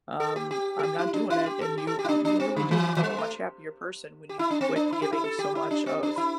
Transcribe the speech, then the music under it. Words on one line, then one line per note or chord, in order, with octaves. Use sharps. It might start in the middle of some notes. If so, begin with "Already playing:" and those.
um, I'm not doing it." And you r you really do become a much happier person when you quit giving so much of
A4
G4
G4
A4
G4
E4
D4
E4
G4
A4
G4
A4
G4
E4
D4
D4
C4
D3
E3
E3
G3
A3
G4
E4
D4
C4
D4
E4
G4
E4
A4
G4
E4
D4
C4
D4
E4